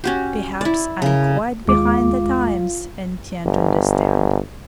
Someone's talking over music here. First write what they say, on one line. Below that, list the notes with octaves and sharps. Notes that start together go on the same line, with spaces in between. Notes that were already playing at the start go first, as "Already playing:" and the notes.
Perhaps I am quite behind the times and can't understand.
C#4 F#4 G4
E4 D5
C#3 A#4
D#2 G#3 F4 D6
G1